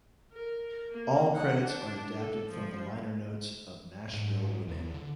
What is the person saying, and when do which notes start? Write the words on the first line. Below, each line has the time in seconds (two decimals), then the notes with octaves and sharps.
All credits are adapted from the liner notes of "Nashville Women".
0.33 A#4
0.91 A#3
1.34 F#5
1.66 D4
2.18 A4
2.50 F3
4.13 G#2
4.68 E2
4.94 D3